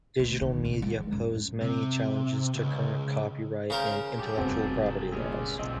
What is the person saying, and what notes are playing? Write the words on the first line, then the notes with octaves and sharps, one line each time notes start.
Digital media pose many challenges to current copyright and intellectual property laws.
D2
D#3
C3
G#3
F#2
C3
C#2
C#3 A#4 C5
F#3 G4 A4
F1 G2 B3 C4 F#4
D2 A#2 G#3 C#4
B1 G2 F3 C4 D#5